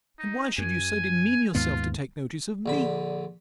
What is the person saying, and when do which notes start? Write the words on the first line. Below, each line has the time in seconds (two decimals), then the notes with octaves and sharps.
And why should you so demean yourself to take notice of me?
0.19 D#4
0.58 F#2 G#5
1.55 D#2 G#2 B3 F4
2.66 A#1 D3 B5